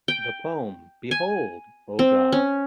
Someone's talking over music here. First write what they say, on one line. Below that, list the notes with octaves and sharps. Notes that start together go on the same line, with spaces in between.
The poem Behold, O God!
G5
G#5
C4
C#4